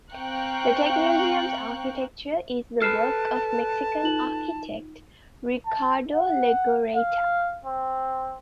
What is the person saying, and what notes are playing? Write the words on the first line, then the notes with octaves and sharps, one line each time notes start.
The Tech Museum's architecture is the work of Mexican architect Ricardo Legorreta.
C4 F5 G5 A#5 C#6 F#6
A4 B4 A5 F6 C7 E7
D#4 F4 F#7
A5
F#5
F5
C4